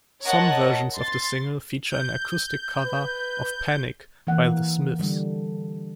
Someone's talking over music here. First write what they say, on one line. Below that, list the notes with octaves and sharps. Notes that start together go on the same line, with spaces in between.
Some versions of the single feature an acoustic cover of "Panic" by The Smiths.
A#4 C#5 D#5 F#5 A5
C6 A6
G6
B4
E3 A#3 F#5
D3 G3